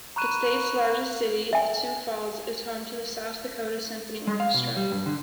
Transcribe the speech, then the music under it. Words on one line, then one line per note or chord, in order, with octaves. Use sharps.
The state's largest city, Sioux Falls, is home to the South Dakota Symphony Orchestra.
A#5 B5 C#6 F#6 D#7 E7
E5 G#5
G#3
F5
B2
G3
G2
D3